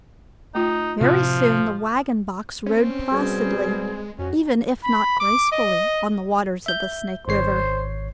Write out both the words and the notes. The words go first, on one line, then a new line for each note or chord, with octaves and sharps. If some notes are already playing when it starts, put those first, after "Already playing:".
Very soon the wagon box rode placidly, even if not gracefully, on the waters of the Snake River.
A3 D#4 F4
A2 C3 F3 F4 F#6
C4 C#4
B2 G3 G#4
G#3
F2 C#4 F#4
B5
D6
D#5
E5 G6
G#1 C5 C#5 C7